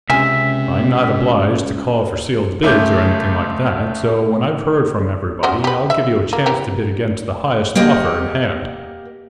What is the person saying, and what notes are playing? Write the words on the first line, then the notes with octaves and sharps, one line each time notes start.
I'm not obliged to call for sealed bids, or anything like that, so when I've heard from everybody, I'll give you a chance to bid against the highest offer in hand.
C#2 C3 C4 C#4 E5 G#5
C#2 A3 C#4 D6 G6
C#4 F#4 C5
G4 B4
E5
A#3
E3 G4 A#4
A#3 G4 D#5 F#5